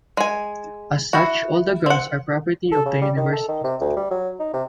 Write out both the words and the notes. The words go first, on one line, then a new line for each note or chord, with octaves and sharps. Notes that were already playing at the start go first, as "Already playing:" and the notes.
As such all the grounds are property of the University.
G#3 G#5
E4 F#4
C4 F#5
A4
C#3
G3
D#3
A4
D#3
C3
D2
G3
F#3
D#4
C3